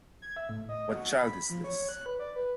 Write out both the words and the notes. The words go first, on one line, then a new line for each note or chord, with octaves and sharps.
What Child Is This?
G#6
E5
A2
D#5
F#4
B5
F3
C#5
F#6
B4
D5
B4